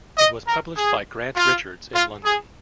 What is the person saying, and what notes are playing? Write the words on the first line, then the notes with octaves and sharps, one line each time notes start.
It was published by Grant Richards in London.
D#5
A#4
G#4
F4
F4
G#4